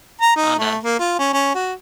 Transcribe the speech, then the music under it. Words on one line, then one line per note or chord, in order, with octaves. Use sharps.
on a
A#5
D#4
A3
A#3
F4
C#4
C#4
F#4